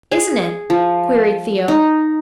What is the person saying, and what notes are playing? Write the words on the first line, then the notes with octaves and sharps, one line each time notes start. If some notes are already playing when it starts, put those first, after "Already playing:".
"Isn't it?" queried Theo.
G#4
F3
D#4